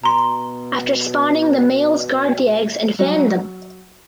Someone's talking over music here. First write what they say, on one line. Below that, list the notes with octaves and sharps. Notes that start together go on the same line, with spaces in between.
After spawning the males guard the eggs and fan them.
B2 A#5 C6
F#3